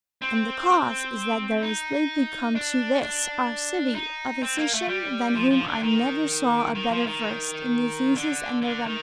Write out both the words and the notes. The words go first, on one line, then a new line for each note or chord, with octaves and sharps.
And the cause is that there is lately come to this our city a physician than whom I never saw a better versed in diseases and their remedies.
C4
D#4
D4
D4
D#4
C4
A#3
A3
G3
F3
F3
D3
D#3
D#3
F3
D#3
D3
D3
D#3